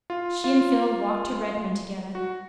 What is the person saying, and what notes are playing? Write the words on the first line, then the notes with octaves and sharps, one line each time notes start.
She and Phil walked to Redmond together.
F4
F4
F#4